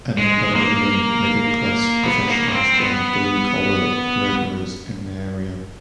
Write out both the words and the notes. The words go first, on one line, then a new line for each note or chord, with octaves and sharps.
A number of young middle-class professionals joined blue-collar laborers in the area.
G#3
A#3
B3
A#3
C#4
C4
B3